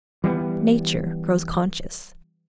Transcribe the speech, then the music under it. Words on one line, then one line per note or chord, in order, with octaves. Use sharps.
Nature grows conscious.
E3 G3 A3 B3